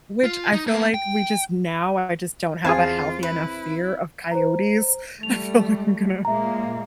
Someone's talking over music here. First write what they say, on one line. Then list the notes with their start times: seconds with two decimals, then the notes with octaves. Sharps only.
which I feel like we just now I just don't have a healthy enough fear of coyotes. I feel like I'm gonna
0.24 F4
0.53 D#4
0.67 A#3 B3
0.94 G5
2.65 E2 C4 F4 G#4 C5 F5 G#5 A5
3.23 E4 B4
4.32 C5 A#5
5.23 G3 A3 F7
6.25 A#2 G#3 A#3 E5 A#5